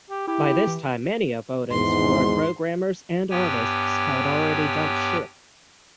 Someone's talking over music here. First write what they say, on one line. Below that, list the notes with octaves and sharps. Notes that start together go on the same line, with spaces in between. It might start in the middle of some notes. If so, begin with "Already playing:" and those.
By this time many of Odin's core programmers and artists had already jumped ship.
G4
E4 G4
E3
G#1 E2 G#2 C6
G2 B3 G4 C#5 G5 G#5